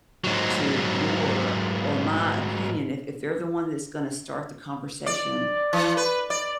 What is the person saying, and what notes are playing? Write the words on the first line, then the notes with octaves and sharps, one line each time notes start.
to your, or my opinion. If if they're the one that's gonna start the conversation,
G#2 F#3
D5
E3
B4
D5